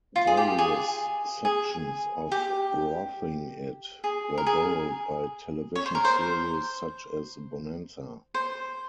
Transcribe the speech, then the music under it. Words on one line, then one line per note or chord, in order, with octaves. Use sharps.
Various sections of "Roughing It" were borrowed by television series such as "Bonanza".
F4
G#4
G4
G#4
G#4
G4
G#4
A#4
G#4
C#5
C5
A#4
C5
C5